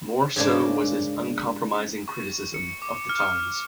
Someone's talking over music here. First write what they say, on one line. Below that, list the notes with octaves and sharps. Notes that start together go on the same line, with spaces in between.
More so was his uncompromising criticism of the times.
G#2 C#3 A#3 D4
C#6
C#7
D6
F6